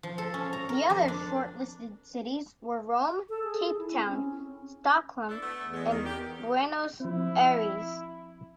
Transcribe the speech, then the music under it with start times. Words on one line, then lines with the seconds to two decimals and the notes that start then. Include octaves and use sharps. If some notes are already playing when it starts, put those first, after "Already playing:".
The other shortlisted cities were Rome, Cape Town, Stockholm and Buenos Aires.
0.03 F3
0.18 A4
0.34 C#4
0.53 A#5
0.69 A#4
0.90 F2
1.08 D4
3.29 A4
3.44 G#4
3.79 E4
3.93 C4
4.08 C#4
5.29 D4 E4 A4
5.42 A3 B3
5.60 E2
5.74 G#3 B3
5.90 D#3
6.06 G4
7.00 F3 C4 E4